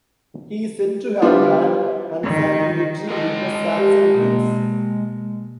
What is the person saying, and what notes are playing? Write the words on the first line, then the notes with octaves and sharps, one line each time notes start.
He is said to have had consanguinity with the Saxon kings.
G3 B3 D4 E4 F4
D#3
G#3 A#4 D#5
A5
G4 D5
B2 A#3